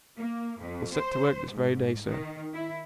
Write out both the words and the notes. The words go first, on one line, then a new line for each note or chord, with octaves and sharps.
"We'll set to work this very day, sir."
A#3
F2
C5
G#2
D#3
E4